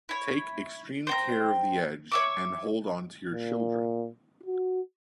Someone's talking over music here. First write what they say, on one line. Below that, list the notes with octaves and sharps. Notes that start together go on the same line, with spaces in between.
Take extreme care of the edge, and hold on to your children.
E4 C#5
C5 G5 A#5
C#5 E5 D6
A#2
F#4